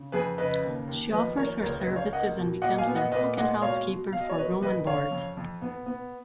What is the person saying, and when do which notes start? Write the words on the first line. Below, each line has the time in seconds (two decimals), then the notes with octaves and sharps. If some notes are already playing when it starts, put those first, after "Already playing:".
She offers her services and becomes their cook and housekeeper for room and board.
Already playing: C#3
0.12 F2 G#4 B4
0.38 C#3 B4 D#5
0.63 D#2
0.87 D#2
1.12 F3 B4 D#5
1.37 D#2 A#4 C#5
1.62 C#2 A#4 C#5
1.80 B4 D#5
1.87 C#2
1.96 C#5 F5
2.13 A#3 D#5 F#5
2.38 B2
2.62 A#2 D#5 F#5
2.78 F5 G#5
2.87 B3
2.95 D#5 F#5
3.12 A#2 B4 D#5
3.37 G#3 D#5 F#5
3.62 B2 C#5 F5
3.87 B2
4.11 B2 F5
4.21 D#5
4.30 C#5
4.37 A#3 B4 D#5
4.61 F2 B4 D#5
4.86 C#3 C#5 F5
5.11 F2
5.37 F2
5.62 B3
5.86 B3